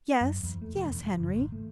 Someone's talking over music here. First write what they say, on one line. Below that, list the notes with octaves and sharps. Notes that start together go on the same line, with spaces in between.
"Yes--yes, Henry?"
F#2
E2
A3
F1
E1
F#1
G#1
A3